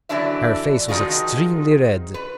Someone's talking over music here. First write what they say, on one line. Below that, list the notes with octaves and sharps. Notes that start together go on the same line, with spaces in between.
Her face was extremely red.
D3 E3 F#3 D4 E4 E5
D#3 F3 G#3 D#4 F4 F#4
B4